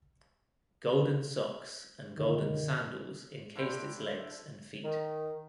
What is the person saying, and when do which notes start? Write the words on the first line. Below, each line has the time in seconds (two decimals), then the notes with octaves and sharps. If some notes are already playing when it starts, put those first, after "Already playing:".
Golden socks and golden sandals encased its legs and feet.
2.17 F#2 B2 D3 D#3
3.56 D3 E4 C5 G5
4.84 D#3